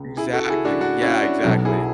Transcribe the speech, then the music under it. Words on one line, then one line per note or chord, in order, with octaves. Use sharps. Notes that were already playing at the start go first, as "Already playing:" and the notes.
Exactly, yeah, exactly.
Already playing: C#2
E4 G#4
F#4 A4
E4 G#4
D4 F#4
D4 F#4
C#4 E4
D4 F#4
B1 B2 F#3 F#4 A4
E4 G#4